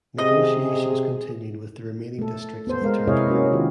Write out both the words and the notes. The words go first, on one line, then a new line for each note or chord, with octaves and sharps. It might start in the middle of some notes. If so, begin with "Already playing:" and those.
Negotiations continued with the remaining districts of the territory.
C3 G#4 D#5
A3 A4
B3 C5
G#3 A#4 F5
C3 E4 G#4 C#5 D#5 F5
A#3 C#4 F#4
D#3 F4 G4